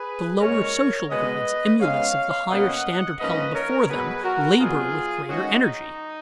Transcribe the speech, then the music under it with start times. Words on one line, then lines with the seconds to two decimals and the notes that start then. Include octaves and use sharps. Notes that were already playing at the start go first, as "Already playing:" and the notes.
The lower social grades, emulous of the higher standard held before them, labor with greater energy.
Already playing: G#4 B4
0.41 A#2 G#3 C#4 A#4 C#5
1.10 B2 G#3 B3 B4 D#5
1.80 C#3 G#3 B3 C#5 F5
2.49 B2 A#3 C#4 D#5 F#5
3.19 G#2 F3 A#3 C#4 B4 D#5
3.54 A#4 C#5
3.89 B2 F#3 B3 G#4 B4
4.23 F#4 A#4
4.58 B2 F#3 B3 F4 G#4
5.28 D#3 G#3 C#4 D#4 F#4
5.63 D#4